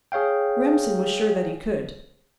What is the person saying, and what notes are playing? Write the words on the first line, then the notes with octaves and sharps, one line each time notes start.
Remsen was sure that he could.
G#4 C#5 F5 G5